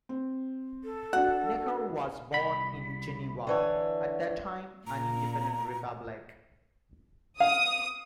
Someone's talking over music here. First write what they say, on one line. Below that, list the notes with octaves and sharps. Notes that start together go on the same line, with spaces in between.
Necker was born in Geneva, at that time an independent republic.
C4
A4
D4 F#4 F#5
C2 B5
D3 E3 C#5
A#2 A#5
F5 D#6